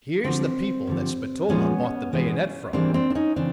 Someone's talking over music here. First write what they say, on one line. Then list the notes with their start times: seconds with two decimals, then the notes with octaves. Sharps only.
Here's the people that Spatola bought the bayonet from.
0.24 D2 D3 F3 C4
0.87 G2 D3 F3
1.49 A#2 F3 G#3 B3 C#4
2.12 G2 E3 G#3 B3
2.73 G#2 E3 G3 A#3 C4 D4
2.94 C4 D4
3.10 D4
3.15 C#4 D#4
3.36 C#3 E3 C4 D4